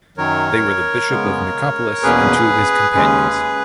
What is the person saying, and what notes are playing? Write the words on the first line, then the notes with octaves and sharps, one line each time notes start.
They were the bishop of Nicopolis and two of his companions.
F#2 D#3 F#3 A#4 C#5
C#3 G#3 B3
E2 B2 A#3 C#4 G#4 B4
D#2 C#3 G#3 C#4